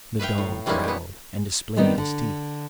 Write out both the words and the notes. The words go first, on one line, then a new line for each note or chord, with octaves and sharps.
The dog growled, and displayed his teeth.
B4 E5 F5 G5
A2
E3 G3 G#3 A#3 C#4 D#4
A#2 B3
D#3 G3 B3 C4 D#4
D3